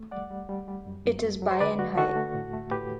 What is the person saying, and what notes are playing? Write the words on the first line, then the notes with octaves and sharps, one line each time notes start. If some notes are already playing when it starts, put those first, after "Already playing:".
It is by and high.
Already playing: A3
G3 D5 F#5
G3
G3
G3
F#2
F#2
F#3
F#3
C5
D3 B4 D5
A3 F#4
D3 F#4 A4
A3
A2
A3
A2 G4 B4